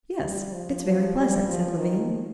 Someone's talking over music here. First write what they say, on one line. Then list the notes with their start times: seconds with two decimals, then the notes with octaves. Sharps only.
"Yes, it's very pleasant," said Levin.
0.21 G3
0.52 F3
0.85 F3
1.16 G3
1.48 F3
1.79 D#3